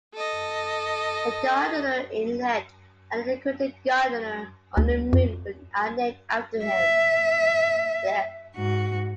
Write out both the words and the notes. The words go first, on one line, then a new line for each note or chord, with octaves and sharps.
The Gardner Inlet and the crater Gardner on the Moon are named after him.
A4 D#5
D2
F2
E5
G#2 F#4